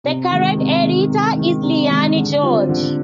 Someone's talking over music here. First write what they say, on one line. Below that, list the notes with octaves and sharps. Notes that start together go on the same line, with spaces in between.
The current editor is Lianne George.
C3
D#3 G#3
C3
D#3 G#3
C3
D#3 G#3
C3
D#3 G#3
D3
G3 C4 F4
D3